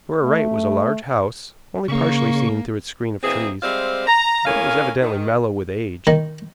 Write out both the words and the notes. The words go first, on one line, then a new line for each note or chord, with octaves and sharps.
To our right was a large house, only partially seen through its screen of trees, but it was evidently mellow with age.
A3
C#3 A#3 C#6
B2 E3 A#3 C4 G#4
G3 G#3 C4 C5 E5 F5
A#5
A2 C#4 A#4 F5 G#5
D#3
D#3